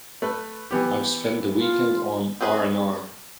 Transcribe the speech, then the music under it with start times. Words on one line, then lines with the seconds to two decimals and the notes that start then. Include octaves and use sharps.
I've spent the weekend on R and R.
0.22 A3 B4
0.71 E3 B3 G4
1.56 F4
2.41 C4 C#4 G#4 B4